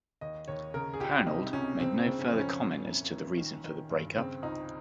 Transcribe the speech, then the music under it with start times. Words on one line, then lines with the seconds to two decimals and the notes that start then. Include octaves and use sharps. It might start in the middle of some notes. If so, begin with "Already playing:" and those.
Pernald made no further comment as to the reason for the break-up.
0.21 D#2 D#5
0.48 D#2 C#5
0.74 C#3 A#4
0.93 G#4
1.00 C#2 G4
1.27 C3 D#4
1.53 C#2 C#4
1.79 C#3 C4
1.99 C4
2.06 C#3
2.19 C#4
2.32 F2
2.39 C#4
2.58 A#2
2.85 C2
3.11 C2
3.37 D#3
3.64 D#3
3.90 G2
4.16 C#3 C4
4.42 C#2 D#4